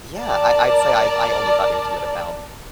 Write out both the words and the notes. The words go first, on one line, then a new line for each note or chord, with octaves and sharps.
yeah, I I'd say I I only got into it about,
A#4 D5 A5